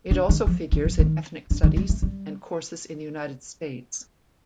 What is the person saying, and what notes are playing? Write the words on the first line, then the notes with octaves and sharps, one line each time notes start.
It also figures in Ethnic Studies and courses in the United States.
D3
D#3
F3
D#3
F3
D#3
D3
D#3
G3
A3
G3